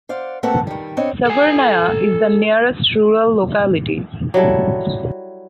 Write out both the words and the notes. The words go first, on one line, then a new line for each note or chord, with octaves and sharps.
Severnaya is the nearest rural locality.
C5 D5 F5 F#5
A3 A#3 C4 A4 B4 F#5
D#3 G3
B3 C4 D4 C#5 D#5
A4 G#5
F#3 G3 E4 A4